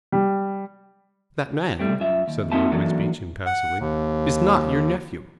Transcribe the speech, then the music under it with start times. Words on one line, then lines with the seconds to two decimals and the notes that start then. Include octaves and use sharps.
"That man," said Lord Wisbeach impassively, "is not your nephew."
0.12 G3
1.79 G3 A3 C4
2.00 F#2 F4 E5
2.28 D#2
2.52 A#3 C4 D#4 F#4 E5 A5
2.72 E3 F#3 A#3 D4 F#4 A4
3.46 F#5
3.80 D#2